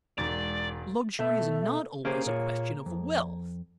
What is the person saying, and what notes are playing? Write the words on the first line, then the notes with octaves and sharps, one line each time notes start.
Luxury is not always a question of wealth.
E1 G#2 D5 A6
B2 A3 E5
A#3 C#4 G4 G#4 C5
A#2 F4 C#5
F2